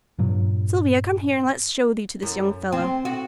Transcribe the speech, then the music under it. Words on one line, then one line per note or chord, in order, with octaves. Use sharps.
Sylvia, come here, an let's show thee to this young fellow!'
G2 A#2 F#3
F#2
C4
F#4